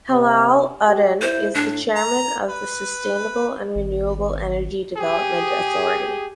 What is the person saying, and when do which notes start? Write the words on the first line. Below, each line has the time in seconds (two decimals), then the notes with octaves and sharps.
Helal Uddin is the chairman of the Sustainable and Renewable Energy Development Authority.
0.10 C3
0.88 G4
1.22 E4 C5
1.55 A2 D4
1.95 A#5
2.48 B4
3.75 G#1
4.98 G4 G#4